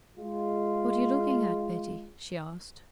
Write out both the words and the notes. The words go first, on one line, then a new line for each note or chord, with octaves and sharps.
"What are you looking at, Betty?" she asked.
G#3 F4